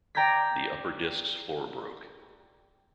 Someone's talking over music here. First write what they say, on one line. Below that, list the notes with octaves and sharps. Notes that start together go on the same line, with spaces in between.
The upper disc's floor broke.
D5 G5 A#5 G6 G#6 B6